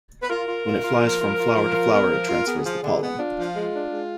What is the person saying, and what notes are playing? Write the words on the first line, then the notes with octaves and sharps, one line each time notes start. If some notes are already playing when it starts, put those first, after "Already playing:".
When it flies from flower to flower, it transfers the pollen.
B4
F4 A#4
F4
F4
F4
F3
F4
F4
F3
F4
B3
F3
F4
B3 G#4
F3
D3
B3
D4 F4
F3
G#3
D4
G#3